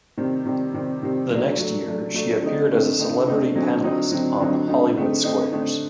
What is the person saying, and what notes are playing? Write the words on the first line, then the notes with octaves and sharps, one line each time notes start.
The next year, she appeared as a celebrity panelist on "Hollywood Squares".
C3 D#3 G3 C4
C3 D#3 G3 C4
C3 D#3 G3 C4
C3 D#3 G3 C4
F#3 A3 D4
F#3 A3 D4
F#3 A3 D4
F#3 A3 D4
D3 A3 C4 D#4
D3 A3 C4 D#4
D3 A3 C4 D#4
D3 A3 C4 D#4
D3 F#3 C4 D#4
D3 F#3 C4 D#4
D3 F#3 C4 D#4
D3 F#3 C4 D#4
D3 A3 C4 D#4
D3 A3 C4 D#4
D3 A3 C4 D#4
D3 A3 C4 D#4